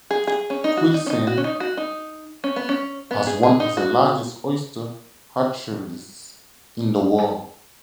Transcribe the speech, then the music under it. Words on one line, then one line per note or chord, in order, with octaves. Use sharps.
Quilcene has one of the largest oyster hatcheries in the world.
G#4
G#4
C#4
D#4
F#4
D#4
C#4
D#4
F#4
C#4
D#4
F#4
D#4
C#4
B3
C#4
B3
G#4
G#4
D#4
F#4